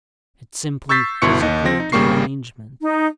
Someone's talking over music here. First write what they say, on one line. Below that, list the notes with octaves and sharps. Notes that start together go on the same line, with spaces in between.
It's simply physical derangement.
C#6 E6 G6 A6 B6 C7
G1 B2 E4 C6 C#6 C#7
D#2 D#5
F3 C4 A#6
D#4
G#1 C#3 G3 A#3 C#6 C7
D#4